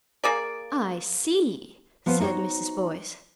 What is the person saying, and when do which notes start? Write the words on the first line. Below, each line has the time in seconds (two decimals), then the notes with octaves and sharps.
"I see!" said Mrs. Boyce.
0.24 A#3 G#4 D5
2.06 F3 B3 B4 C5
2.19 D#4 F#4 G#4 C5 C#5